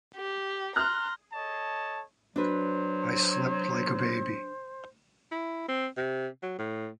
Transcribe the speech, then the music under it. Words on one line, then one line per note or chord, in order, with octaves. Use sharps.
I slept like a baby.
G4
A#5 C6 F6 F#6
A4 C#5 D#5 A5
F#3 D4 F#4 B4 C5
E4
C4
C3
F#3
A2